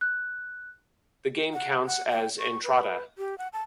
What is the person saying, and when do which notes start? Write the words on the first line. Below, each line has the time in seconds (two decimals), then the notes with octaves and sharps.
The game counts as "Entrada".
0.01 F#6
1.53 F#5
1.87 F#5
2.10 G5
2.39 C#6
2.64 B4
3.18 G4
3.38 F#5
3.53 A5